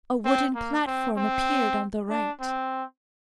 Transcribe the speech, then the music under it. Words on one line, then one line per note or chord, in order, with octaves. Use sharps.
A wooden platform appeared on the right.
C4
A#3
C4
C4
D4
C4